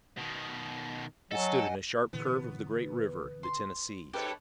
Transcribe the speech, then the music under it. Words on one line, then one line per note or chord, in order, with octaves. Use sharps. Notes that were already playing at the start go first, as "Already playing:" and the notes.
It stood in a sharp curve of the great river, the Tennessee.
B2 D#3
F#3 A4 D#5 F#5 G#5
A#2 D3 E3 B3
C6
G2 G4 A4 B4 C#5